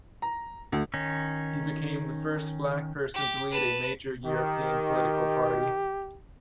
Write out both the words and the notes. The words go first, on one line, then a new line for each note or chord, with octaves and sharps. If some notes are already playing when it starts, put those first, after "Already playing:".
He became the first black person to lead a major European political party.
A#5
D2
D#3 C#4 D#4
G4 D6
B4 A5
D#3 G4